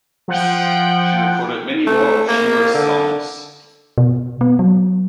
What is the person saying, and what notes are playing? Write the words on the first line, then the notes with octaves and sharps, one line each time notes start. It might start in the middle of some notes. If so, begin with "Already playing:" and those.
She recorded many more of Shemer's songs.
F3 F#5 G5
A3
A#3
D3
B2
B3
F#3